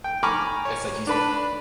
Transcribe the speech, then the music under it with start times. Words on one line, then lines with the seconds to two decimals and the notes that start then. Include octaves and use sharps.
It's like you s
0.04 G5
0.23 G#5 A#5 B5 C#6 D6 F6
0.65 C#5
1.07 D4 B4 B5